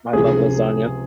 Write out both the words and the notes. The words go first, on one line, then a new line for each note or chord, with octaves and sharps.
I love lasagna,
C#2 C3 F3 G#4